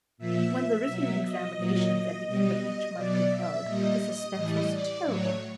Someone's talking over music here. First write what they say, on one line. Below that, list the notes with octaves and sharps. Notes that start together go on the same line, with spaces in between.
When the written examinations at the end of each month were held the suspense was terrible.
A#2 F3 E5
B2 F#3
D#5
A#2 F#3 D#5
B2 G3 D#5
B2 F#3 D5
E5
A#2 G3 D#5
D#5
A2 E3 G3 D#5
D5
A2 F#3 C#5